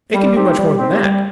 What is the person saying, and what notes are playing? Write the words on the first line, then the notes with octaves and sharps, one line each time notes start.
It can do much more than that.
G3
C4 D#4 G4
G3
C4 D#4 G4
G3